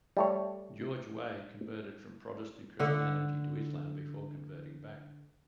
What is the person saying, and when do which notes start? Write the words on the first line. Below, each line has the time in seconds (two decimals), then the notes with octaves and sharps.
George Weah converted from Protestant Christianity to Islam, before converting back.
0.17 G3 A3 C#5
2.79 D3 F#5